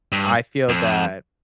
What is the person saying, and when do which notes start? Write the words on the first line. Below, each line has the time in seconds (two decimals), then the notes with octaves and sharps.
I feel that
0.12 G2
0.69 F2